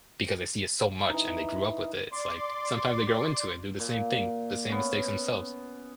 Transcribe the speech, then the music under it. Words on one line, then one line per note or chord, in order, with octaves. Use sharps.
because they see it so much and they grew up with it, it's like sometimes they grow into it and do the same thing, the same mistakes themselves.
E3 D#4
D5 C6 D6
A#2
B3 C#4